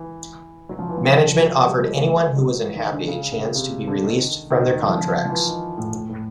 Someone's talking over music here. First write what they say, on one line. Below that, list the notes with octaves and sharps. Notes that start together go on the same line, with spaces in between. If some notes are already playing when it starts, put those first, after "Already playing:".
Management offered anyone who was unhappy a chance to be released from their contracts.
Already playing: E3
F#3
F3
E3
F3
F3
F#3
G3
G#3
A3
G#3
F#3
E3
D#3
D3
C#3
C#3
C3
D3
D#3
D#3
D#3
F3
F3
F3
E3
D#3
A2
A2
A2